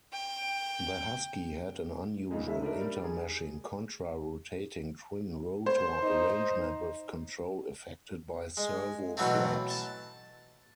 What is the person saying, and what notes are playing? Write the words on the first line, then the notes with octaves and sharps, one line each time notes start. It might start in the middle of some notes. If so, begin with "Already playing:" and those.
The Huskie had an unusual intermeshing contra-rotating twin-rotor arrangement with control effected by servo-flaps.
G5
C#2 G#2 G#3
A3 C#4 E5
D4 D#4 A#4
G3
G#4
C5
D#4
G#3
B2 E3 F#3 A3 C4
A5